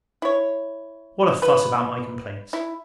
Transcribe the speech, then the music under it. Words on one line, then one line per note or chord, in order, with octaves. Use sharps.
What a fuss about my complaints!
E4 C#5
E4 B4
E4